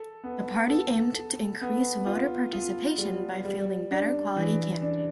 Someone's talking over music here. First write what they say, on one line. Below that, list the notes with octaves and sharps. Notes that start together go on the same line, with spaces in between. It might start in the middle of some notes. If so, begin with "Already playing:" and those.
The party aimed to increase voter participation by fielding better quality candidates.
Already playing: A4
B3
A4
A4
B3
F4
F4
G3
G3
D4
E3
D4